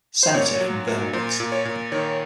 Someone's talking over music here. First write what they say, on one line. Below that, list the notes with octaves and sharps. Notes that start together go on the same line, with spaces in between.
Senator from Vermont.
C5
A#2 C#5
F#3
A#2
A#2 C5
A#2
C#5
A#2
D#3 C#5